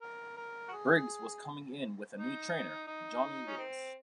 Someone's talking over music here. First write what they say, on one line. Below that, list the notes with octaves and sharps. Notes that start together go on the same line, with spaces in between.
Briggs was coming in with a new trainer, Johnny Lewis.
A#4
A#4
F#4
G#4
D#4
D#4
C#4
C4